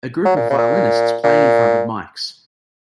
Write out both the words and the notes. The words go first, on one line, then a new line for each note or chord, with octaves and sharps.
A group of violinists playing in front of mics.
F#3
A#2
C#3
A#2
A#2